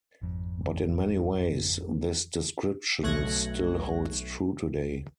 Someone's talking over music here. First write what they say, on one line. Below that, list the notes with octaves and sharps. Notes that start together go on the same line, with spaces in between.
But in many ways, this description still holds true today.
G#1 F2
B1 A3 C#6 F#6 G#6 A#6